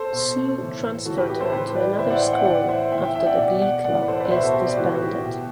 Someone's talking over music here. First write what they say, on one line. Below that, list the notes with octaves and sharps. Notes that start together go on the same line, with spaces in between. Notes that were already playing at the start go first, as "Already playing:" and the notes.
Sue transferred her to another school after the glee club is disbanded.
Already playing: A4 C5
B2
A2 E3
A2 E3 F#4 A4
G4 B4
G4 B4
A4 C5
A2 E3 G4 B4
B4 D5
A2 E3 C5 E5
D5 F#5
E5 G5
D5 F#5
A2 E3 D5 F#5
C5 E5
A2 E3 E5 G5
E5 G5
E5 G5
D5 F#5
B2 D5 F#5
D5 F#5
A2 E3 D5 F#5
B4
A4 C5
B4 D5
F#5
B2 C5 E5
F#4 A4
G4
B4 D5
A2 E3 F#4
F#4
G4
B2